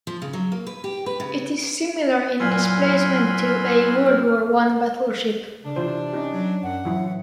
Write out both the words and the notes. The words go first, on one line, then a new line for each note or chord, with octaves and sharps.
It is similar in displacement to a World War One battleship.
F3
C#3
F#3
A#3
B4
G4
B4
C#3
F#2 A#2 F#3 E4 G#5 B5 C6 F6
C#3 D4
C3 E3 F4 C5
C#4 D#4 G4
F#3
F#2 F#5
A2 E3 F#3 E4